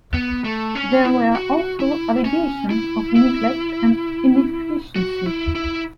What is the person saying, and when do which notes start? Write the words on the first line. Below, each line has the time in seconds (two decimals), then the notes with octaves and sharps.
There were also allegations of neglect and inefficiency.
0.14 B3
0.45 A3
0.75 C#4
1.05 E4
1.35 F#4
1.80 E4
2.25 C#4
2.71 E4
3.16 E4
4.96 F#4
5.26 E4
5.55 E4